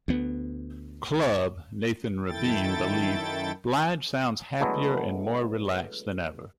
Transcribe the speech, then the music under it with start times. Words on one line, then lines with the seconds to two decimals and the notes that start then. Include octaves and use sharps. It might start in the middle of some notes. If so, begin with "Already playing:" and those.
Club", Nathan Rabin believed "Blige sounds happier and more relaxed than ever.
0.08 D2 B3
2.28 F#2 D#3 E4 A4 G5 A6
4.60 D3 F#3 G#3 A3 B3 E4